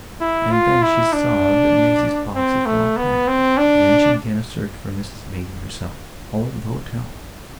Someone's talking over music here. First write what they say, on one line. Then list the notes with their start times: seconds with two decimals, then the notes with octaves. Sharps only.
And then she saw that Maisie's boxes were all packed, and she began a search for Mrs Maidan herself--all over the hotel.
0.21 E4
0.51 F4
0.82 E4
1.13 D4
2.35 C4
2.66 A3
2.97 B3
3.27 C4
3.57 D4